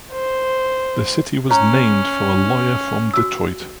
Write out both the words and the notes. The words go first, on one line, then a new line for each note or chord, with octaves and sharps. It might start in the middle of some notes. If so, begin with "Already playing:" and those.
The city was named for a lawyer from Detroit.
C5
C#4 C#5 A#5
F#4 E6